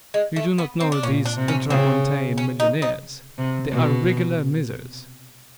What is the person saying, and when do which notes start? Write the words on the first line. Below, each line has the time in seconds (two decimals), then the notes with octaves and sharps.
You do not know these ultramontane millionaires; they are regular misers.
0.14 G#3
0.36 A3
0.58 B3
0.81 C4
0.92 D4
1.03 A#2 C#4
1.26 D4
1.37 C3
1.48 C#4
1.70 C#3 C4
2.38 C#4
2.60 D#4
2.82 D#4
3.38 C3
3.71 B2